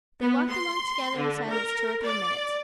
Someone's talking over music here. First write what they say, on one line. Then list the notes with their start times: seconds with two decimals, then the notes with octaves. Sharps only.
They walked along together in silence two or three minutes.
0.21 B3
0.49 C6
1.16 D3
1.49 A#4
2.04 D5